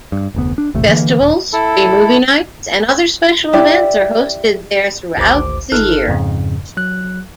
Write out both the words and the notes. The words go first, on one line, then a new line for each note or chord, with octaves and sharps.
Festivals, free movie nights and other special events are hosted there throughout the year.
G2
F1 D2 B3
D4
D#1 A1 C3 A3
D3 E3 A#3
D#1
E4 A4
E4 G4 D5
G#1 D2 C5 D6
G1 D#4 A4 F6 F#6
F2 G#2 C#3
F#3 F#6